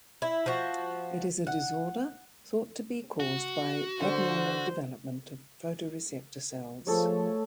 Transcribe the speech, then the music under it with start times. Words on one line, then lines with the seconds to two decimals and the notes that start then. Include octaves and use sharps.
It is a disorder thought to be caused by abnormal development of photoreceptor cells.
0.22 E4
0.46 F3 F#4
1.47 F#5
3.20 F#4
4.02 D3 C5
6.87 F3 A3 G#4 A4 C#5